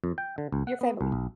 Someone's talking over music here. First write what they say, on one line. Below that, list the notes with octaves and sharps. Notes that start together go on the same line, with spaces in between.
your family.
F2
G5
D3
C#2
F#5
B3
C2
B1